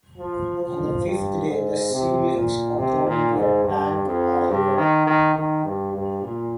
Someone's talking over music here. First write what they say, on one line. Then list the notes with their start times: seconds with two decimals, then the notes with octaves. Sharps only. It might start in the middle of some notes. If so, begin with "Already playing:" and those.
On the fifth day, the seedlings are thrown into a tank or river.
0.17 F3
0.60 F3
1.04 G2
1.47 G#2
1.91 C3
2.34 A#2
2.77 C3
3.06 A#2
3.34 G#2
3.63 G2
4.06 F2
4.49 G2
4.77 D#3
5.06 D#3
5.36 D#3
5.65 G2
5.93 G2
6.22 A#2